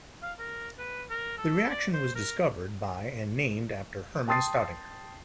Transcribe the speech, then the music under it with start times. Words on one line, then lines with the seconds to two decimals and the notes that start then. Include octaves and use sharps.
The reaction was discovered by and named after Hermann Staudinger.
0.22 F5
0.39 A#4
0.78 B4
1.10 A#4
1.37 A4
1.70 D5
1.93 C5
2.15 A#4
4.28 G5 A5 C6 D#6 A6 C7